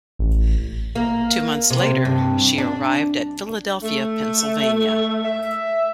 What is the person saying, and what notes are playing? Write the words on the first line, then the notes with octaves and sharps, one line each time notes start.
Two months later, she arrived at Philadelphia, Pennsylvania.
A1
A#3
C3
G2
D4
A3
E5